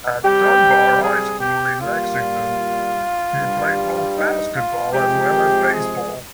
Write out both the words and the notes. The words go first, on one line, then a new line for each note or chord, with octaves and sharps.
At Dunbar High School in Lexington, he played both basketball as well as baseball.
C3 G3 G4
G#4
G4
A#2 G3 F4
G2 G3
D#4
F4
C3 F3 G#3 G4
G#4